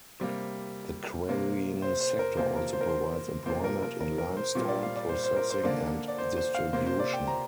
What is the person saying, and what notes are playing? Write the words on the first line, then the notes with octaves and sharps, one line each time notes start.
The quarrying sector also provides employment in limestone processing and distribution.
C3 G3 A#3
C3 A#3
C5
C5
A#4
C3 F3 A#3 C5
A#4
C5
A#4
C5
C3 F3 A#3 C5
A#4
A#4
A#4
A#4
C5
A#2 G3 A#3
D5
F5
D5
C5
C5
A#4
C5
D3 A#3 D5
D5
C5
C5
F5
C3 A#3 C5
C5
D5
G5
A#5